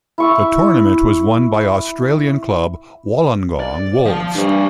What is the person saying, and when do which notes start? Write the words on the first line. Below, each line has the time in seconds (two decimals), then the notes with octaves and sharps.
The tournament was won by Australian club Wollongong Wolves.
0.18 E4 C#6 E6
3.60 D5
4.05 F3 F5
4.36 G2 D4 C5